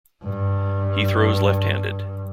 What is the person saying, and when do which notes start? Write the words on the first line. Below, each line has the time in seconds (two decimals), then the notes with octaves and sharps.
He throws left-handed.
0.24 G2